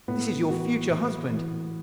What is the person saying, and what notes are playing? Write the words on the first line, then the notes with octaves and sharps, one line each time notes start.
'This is your future husband.
A2 B3
E3 F#4
A2
E3